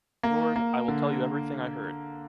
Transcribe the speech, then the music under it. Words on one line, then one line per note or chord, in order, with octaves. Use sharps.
Lord, I will tell you everything I heard.
A#3
A#3
D3